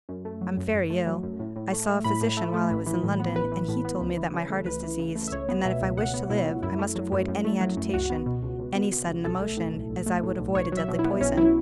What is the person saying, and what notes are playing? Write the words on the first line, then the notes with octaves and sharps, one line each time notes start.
I'm very ill, I saw a physician while I was in London; and he told me that my heart is diseased, and that if I wish to live I must avoid any agitation, any sudden emotion, as I would avoid a deadly poison.
F#2
A3
F#3
F#2
F#2
A3
F#3
F#2
A2
A2
A3
A3
A2 B5
A2
A3
A3
A1
E3
A2
B3
A1 B4
E3
A2
B3
C#2
E3
C#3
A3
C#2 B4
E3
C#3
A3
E5
C#2 C#5
B3
B2 E5
C#2
C#2 F#5
B3
B2 E4
C#2
F#2 E4
A3
F#3
F#2
F#2
A3
F#3
F#2
C#2 F#4
B3
B2
C#2
C#2
B3
B2
C#2
B1 A4
A3
A2
B1
B1
A3
A2
B1
B1 C#5
F#3 E5
B2
E4
B3
B1 C#4
F#3 E4